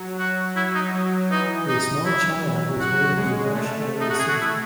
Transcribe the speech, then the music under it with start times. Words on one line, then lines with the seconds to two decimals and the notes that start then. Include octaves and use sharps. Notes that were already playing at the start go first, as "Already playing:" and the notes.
A small child is holding a brush at a sink.
Already playing: F#3
0.19 F#4
0.56 F#3 E4
0.75 D#4
0.94 F#3
1.30 E3 D#4
1.68 D#4
2.05 E4
2.42 F#3
2.80 F#4
3.17 G#3
3.55 A3
4.00 D#4
4.10 F#4
4.19 G#4
4.29 A3 F#4
4.41 E4